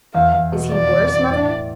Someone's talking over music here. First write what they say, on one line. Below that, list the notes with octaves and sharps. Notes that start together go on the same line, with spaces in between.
"Is he worse, mother?"
E2 F5
E2
B2
E2 D5
E2
E2
A2
E3